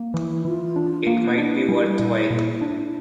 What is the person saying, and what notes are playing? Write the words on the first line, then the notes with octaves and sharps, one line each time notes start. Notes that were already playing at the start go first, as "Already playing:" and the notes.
It might be worthwhile.
Already playing: A#3
E3 E4
E3 F4
D4
A#3
D4 E4
G3
A#2
A#2
D4